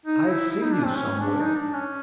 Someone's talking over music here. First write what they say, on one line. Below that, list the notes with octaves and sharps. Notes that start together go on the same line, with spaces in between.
"I have seen you somewhere."
D#4
E4
E4
D#4
D4
C4
C#4
D4
D#4
D4
C#4